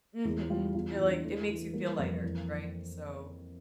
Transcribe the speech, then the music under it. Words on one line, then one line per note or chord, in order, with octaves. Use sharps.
Mhm, it, like, it makes you feel lighter, right? So
E2 E4
G3 F4
E2 F4
E4
E2
D4
E3 A3
E3
G3 A#3
F2
E3